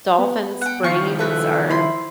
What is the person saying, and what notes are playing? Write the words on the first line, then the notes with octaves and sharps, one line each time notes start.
dolphins' brains are
B3
F#5 G5
D#3 F3 F4 C#6
F#4 A4 B4 E5
E4 C5 B5 C6